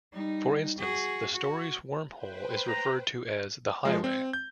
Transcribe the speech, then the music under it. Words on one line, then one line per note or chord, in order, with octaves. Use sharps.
For instance, the story's wormhole is referred to as "The Highway".
G3 D#4
F#4 G#4
F#4
B4 C5 G5
A#5
F3 G#3
C4
G6